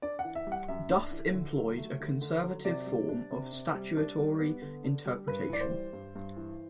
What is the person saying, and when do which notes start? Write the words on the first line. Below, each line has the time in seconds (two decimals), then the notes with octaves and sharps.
Duff employed a conservative form of statutory interpretation.
0.02 D4 D5
0.19 F#5
0.25 E3
0.35 E5
0.47 G3
0.52 F#5
0.68 F#2 E5
0.90 D4
1.12 E3
1.34 D3
1.56 F#3
1.78 A3
2.00 D3
2.22 D3
2.44 F#3
2.65 C3 D5
2.87 G3
3.09 D4
3.31 C3
3.53 C3
3.75 G3
3.97 D4
4.18 G3
4.40 B3
4.62 D3
4.84 D4
5.05 G3
5.27 G2 B4
5.50 E3 D5
5.61 C5
5.71 G3
5.93 G2
6.15 G2
6.37 E3